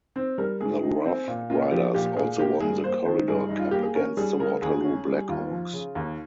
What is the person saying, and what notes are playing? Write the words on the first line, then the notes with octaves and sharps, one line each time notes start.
The Roughriders also won the Corridor Cup against the Waterloo Black Hawks.
C4
G3 A#4
G#2 G#4
D#4
C4
A#2
A#3 F4
F3 G4
A#2 G4
A#2 G#4
A#3 G4
G2 G#4
A#3 C5
D#3 C5
G2 G#4
G2 D#4
F4
A#3 G4
G#4
C#4 A#4
G3 G#4
C#3 A#4
D#2 G#4
C#4
G3
D#2 F4
F3
C#3
D#2